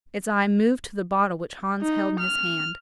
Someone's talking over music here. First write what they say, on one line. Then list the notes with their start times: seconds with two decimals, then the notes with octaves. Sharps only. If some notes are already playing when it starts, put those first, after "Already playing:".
Its eye moved to the bottle which Hans held in his hand.
1.81 D#4
2.20 F6